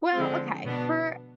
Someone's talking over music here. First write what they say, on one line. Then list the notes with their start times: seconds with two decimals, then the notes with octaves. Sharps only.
well, okay. For
0.16 D3 F3 G#3 C4
0.64 B2 B3 D4